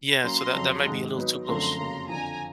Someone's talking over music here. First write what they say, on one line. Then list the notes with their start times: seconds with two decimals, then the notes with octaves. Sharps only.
Yeah. So, that that might be a little too close.
0.24 F#3 A#3 C#4 A#5 C6
0.55 F2 C#3 F#3
0.86 G#2 D#3 G#3
1.17 F#3 B3 D#4 F#4 B4
1.47 F#2 D3 F3 A3 C4 A#5 C6
1.79 F2 C#3 F#3 A#3
2.09 F2 D3 F3 G#5 A#5